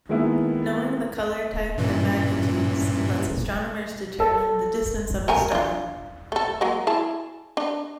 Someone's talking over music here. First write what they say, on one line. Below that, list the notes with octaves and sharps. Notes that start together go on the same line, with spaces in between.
Knowing the color type and magnitudes lets astronomers determine the distance of a star.
D#3 G#3 A#3 B3 E4
G2 A#2 E3 C#4
A4
A3 A#4 G#5
D4 F4
A3 A4
F#3 G#3 A#3
E4 G#4 A5
D4